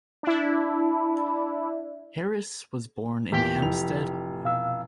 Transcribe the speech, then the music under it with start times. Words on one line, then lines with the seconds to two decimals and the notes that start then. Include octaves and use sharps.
Harris was born in Hempstead, New York.
0.23 D4 E4
3.32 E2 A#2 G4 G5
3.62 F1 E3 F7
4.44 B2 F5 E6